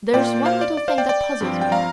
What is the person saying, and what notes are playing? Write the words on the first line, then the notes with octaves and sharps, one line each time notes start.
But there's one little thing that puzzles me.
A#2 A#3 F4 D5 G5
C5 F5
D5
D5
C5 F5
D5 G5
D5 G5
G2 F3 C4 F4
G5
F5 A#5